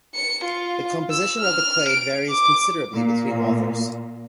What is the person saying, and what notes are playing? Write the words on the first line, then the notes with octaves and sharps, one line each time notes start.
The composition of the clade varies considerably between authors.
C#7
F4
E6
F6
D7
D6
A#2